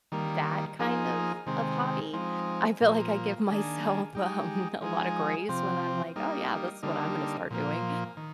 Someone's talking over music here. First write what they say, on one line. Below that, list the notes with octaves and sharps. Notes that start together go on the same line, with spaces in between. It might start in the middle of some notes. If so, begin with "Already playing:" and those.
that kind of of hobby. I feel like I give myself, um, a lotta grace when I'm like, "Oh, yeah, this is what I'm gonna start doing."
D#3 G3 A#3
F3 A#3 D#4 G#4
C3 D#3 G#3 C4
F3 G#3 C4 D#4
A#2 F3 A#3
D#3 A#3 D4 G#4
G#3 D#4 G4
F3 G#3 D#4 G#4
C3 F3 C4
G3 A#3 D#4
D3 G3 A#3 D#4
A#2 F3 A#3
D#3